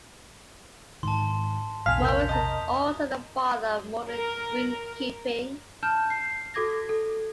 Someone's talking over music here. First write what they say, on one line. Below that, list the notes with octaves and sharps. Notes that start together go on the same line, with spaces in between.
Morris was also the father of modern greenkeeping.
G#2 D#3 A5 C6
A#1 E2 B2 F5 G#5 B6 F7
C3 A#4 G6
D#5 A5 A#5 D#6
A#4
A5 F6 G6 E7
C7
F#4 A4 D6 G#6 A#6
A4